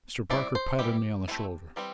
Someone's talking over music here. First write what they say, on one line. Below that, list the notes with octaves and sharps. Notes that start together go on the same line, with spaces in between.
Mr. Parker patted me on the shoulder.
G3 C4 E4 D5
C5
E3 G3 E4 G4
A3 C4 E4
E3 G3 C4